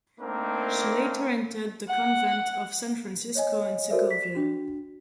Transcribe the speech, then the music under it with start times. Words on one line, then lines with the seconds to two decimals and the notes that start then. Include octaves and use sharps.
She later entered the convent of San Francisco in Segovia.
0.20 A3 A#3 C4 D4 D#4 A#4
1.89 F#5
3.35 C#5 D#5 G#5
3.90 F#4 A4 A#4 C5 D5 E5
4.11 B6
4.35 D4 F#4